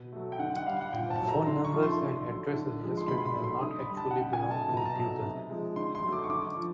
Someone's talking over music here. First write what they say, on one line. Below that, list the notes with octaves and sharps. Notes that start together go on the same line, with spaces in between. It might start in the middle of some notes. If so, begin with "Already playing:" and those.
Phone numbers and addresses listed may not actually belong to the pupil.
Already playing: B2
F#3 A3
G5
D3 F#5
F#5
G3 F5
F#5
A#2 G5
A5
F#3 A3
A#5
D3 C6
C#6
F3 A3
C6
D3
F#3 A3
D3
F3 G#3
C6
B2 B5
C6
B5
F#3 A3
C6
D3 D#6
B5
G3
A5
F#5
C#3 G5
G#5
F#3 A3
A5
B2 A5
A#5
A5
F#3 A3
C3
F3 G#3
D3 C6
C6
F#3 A3
D6
C#6
D3 D6
F3